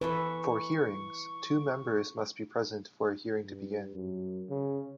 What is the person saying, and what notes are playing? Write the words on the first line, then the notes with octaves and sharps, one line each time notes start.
For hearings, two Members must be present for a hearing to begin.
E3 A4 B4 E5 C#6
G2
F#2
C#3